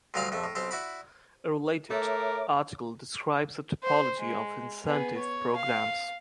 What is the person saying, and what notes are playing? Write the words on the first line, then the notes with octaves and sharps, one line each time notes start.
A related article describes a typology of incentive programs.
D2 A#2 F#3 G3 F5 D6
A#1 F2 A3
A2
B1 C4 G4
E4 F#4 D5 B5
A3 A#4 C#5 E5 D6
C5
G#3
B3 G#4
C#5
F5